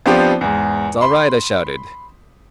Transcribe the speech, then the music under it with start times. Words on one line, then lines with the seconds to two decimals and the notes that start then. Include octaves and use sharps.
"It's all right," I shouted.
0.06 F3 B3 C4 D4 G4
0.41 E2 G#2
1.01 B5 C6